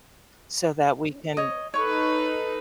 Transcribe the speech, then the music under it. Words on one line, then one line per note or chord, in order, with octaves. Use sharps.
so that we can,
C#5 D#5
D#4 A4 B4 C#5 C#6